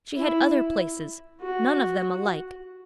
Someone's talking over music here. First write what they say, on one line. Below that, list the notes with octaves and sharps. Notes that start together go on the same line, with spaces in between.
She had other places, none of them alike.
E4
F#4